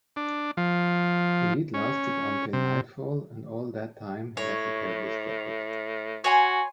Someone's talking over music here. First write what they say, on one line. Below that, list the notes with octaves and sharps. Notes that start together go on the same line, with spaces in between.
The heat lasted until nightfall, and all that time he had to carry his jacket.
D4
F3
C#4
C3
A2 C#5
F#4 C#5 G#5 C6